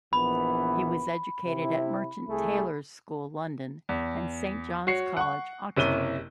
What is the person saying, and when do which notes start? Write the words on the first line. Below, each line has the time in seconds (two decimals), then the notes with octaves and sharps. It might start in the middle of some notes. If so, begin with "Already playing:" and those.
He was educated at Merchant Taylors' School, London and Saint John's College, Oxford.
0.13 A#1 E3 B3 B5
1.46 C3 E4
2.28 C2 A3 G#4
3.89 E2
4.87 F#4 C#5 C7 C#7
5.17 F#5 C#6
5.77 F#1 C3 C#4 E4 D#7 G7